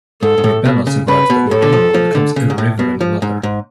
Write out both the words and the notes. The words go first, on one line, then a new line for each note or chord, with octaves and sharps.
Murbella survives the ordeal and becomes a Reverend Mother.
G#2 A4
G#2
A2
B2
C#3
C#3 B4
B2
A2 A4
D3
F3
F3
D3
C#3
G#2
A2
B2
F3
G#2
G#2